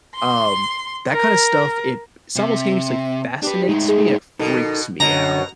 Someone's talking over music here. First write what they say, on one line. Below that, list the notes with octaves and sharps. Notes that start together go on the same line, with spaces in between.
Um, that kinda stuff it simultaneously fascinates me, it freaks me out.
C6
A#4
C3
D4 G4 B4
A2 G#3 D#4
G#4
B2 D#4 A4 A#4
F#2 B2 D3 F#4 C#5 A#5